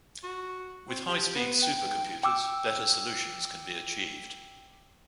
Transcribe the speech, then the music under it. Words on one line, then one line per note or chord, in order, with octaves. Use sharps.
With high-speed supercomputers, better solutions can be achieved.
F#4
C4
G4
B3
G5
G#2
G5 D6 E6